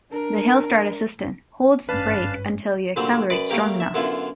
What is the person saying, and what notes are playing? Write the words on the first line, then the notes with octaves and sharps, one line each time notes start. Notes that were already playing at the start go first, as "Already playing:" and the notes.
The hill start assistance holds the brake until you accelerate strong enough.
D4 A#4
G#1 G2 C#4 D4 B4 F5 A5
A#2 D3 F#3 G3 C4
F#2 B4 D5 D#6
G3 A3 A#3 G4 A#4
E5
F#2 D3 B3 E4 F4